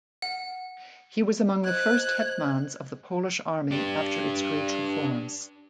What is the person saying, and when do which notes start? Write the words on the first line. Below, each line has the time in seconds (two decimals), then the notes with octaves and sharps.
He was among the first Hetmans of the Polish Army after its great reforms.
0.22 F#5
1.65 C5 D#5 F#6 G#6
3.71 D4 G4